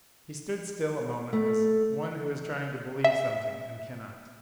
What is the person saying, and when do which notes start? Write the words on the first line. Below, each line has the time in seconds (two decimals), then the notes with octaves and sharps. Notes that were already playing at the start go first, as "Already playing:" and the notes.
He stood still a moment, as one who is trying to believe something and cannot.
1.33 A3
3.04 E5